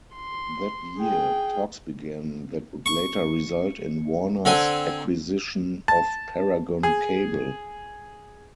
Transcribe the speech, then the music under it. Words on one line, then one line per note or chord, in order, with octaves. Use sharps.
That year, talks began that would later result in Warner's acquisition of Paragon Cable.
C6
G#4 G5
C#6
D3 C4 G#5
A5
G#4